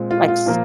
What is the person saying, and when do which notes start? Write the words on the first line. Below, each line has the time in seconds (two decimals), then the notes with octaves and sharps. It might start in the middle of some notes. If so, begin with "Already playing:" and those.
like, s
Already playing: A#2 G#3 C4
0.11 F4
0.28 F4
0.46 A#2 F3 A#3